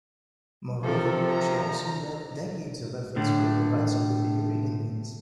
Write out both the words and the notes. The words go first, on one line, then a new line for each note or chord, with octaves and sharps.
Moreover, she also led decades of efforts for the rights of the Paiute Indians.
C3 F3 A4 A#4
A#5
A2 D3